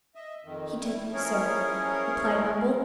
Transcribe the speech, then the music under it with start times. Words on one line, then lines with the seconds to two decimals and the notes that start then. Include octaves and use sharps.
'He did, sir,' replied Bumble.
0.15 D#5 E5
0.44 F2 D#3
0.79 G3 A3 E4
1.13 F3 C#4 E4 G#4 A#4 C#5